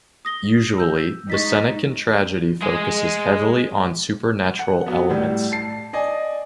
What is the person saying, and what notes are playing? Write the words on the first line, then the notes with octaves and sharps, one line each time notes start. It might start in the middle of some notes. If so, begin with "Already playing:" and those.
Usually, the Senecan tragedy focuses heavily on supernatural elements.
D#6 A#6 G7
E6 G6
G#3 D#4 C#6 A6 B6
G#3 G#4
F#5
F#3 B3
A2 G3
A5 C7
D5 D#5 G#5